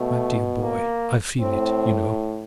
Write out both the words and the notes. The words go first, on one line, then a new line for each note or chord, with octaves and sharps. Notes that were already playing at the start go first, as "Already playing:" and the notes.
My dear boy, I feel it, you know.
Already playing: B2 A3
A#3
A2 C4